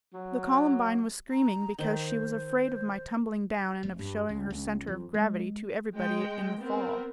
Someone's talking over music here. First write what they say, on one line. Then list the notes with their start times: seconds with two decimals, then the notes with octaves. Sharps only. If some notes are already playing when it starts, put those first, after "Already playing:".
The Columbine was screaming because she was afraid of my tumbling down and of shewing her centre of gravity to everybody in the fall.
0.13 F#3
1.31 A#5
1.79 D#3 C5
1.98 C5
3.83 F1
3.99 G2
4.29 C#2
4.50 C#2
4.87 F2
5.14 G#3
5.95 G#3 G5
6.60 B3 C4 A#4